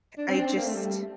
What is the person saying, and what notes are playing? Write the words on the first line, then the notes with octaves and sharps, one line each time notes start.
I just
D4
C4
D4
C4
A#3
A3
G3